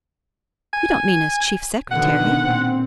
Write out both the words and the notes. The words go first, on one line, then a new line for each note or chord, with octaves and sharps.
"You don't mean as Chief Secretary?"
G#5
B2 D3 D#3 F#5
A#2 C4